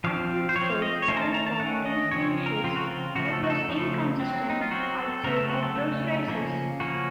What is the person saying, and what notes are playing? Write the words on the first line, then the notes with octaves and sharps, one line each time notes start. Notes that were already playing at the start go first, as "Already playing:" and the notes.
Atwood scored seven top ten finishes, but was inconsistent outside of those races.
F3 C4 F5
C5
F3 C#5
C4
F5
D#5
C#5
D#3 A3 C#4 C5
A#5
A5
A#5
A5
D#3 A3 C#4 F#5
D#5
C#3 F3 C4 C#5
A#4
C#3 F3 C4 F4
F#4
F4
C#3 F3 A3 F#4
A4
F#4
A4
C#3 F3 A3
F#3 C4
D#4
F4
F#3 C4 F#4
A4
C#3 F#3 A3 A#4
A4
F#4
A4
C#3 F#3 A3
C#3 F3 A#3 C#4
C#3 F3 A#3 C#4 F#4